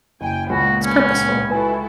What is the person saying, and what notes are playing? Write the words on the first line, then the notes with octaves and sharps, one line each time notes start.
It's purposeful.
F#1 G5 G#5
C#2 A#2 C#3 B3 F#4
C#4
E4 F#4 A4 B4 G#5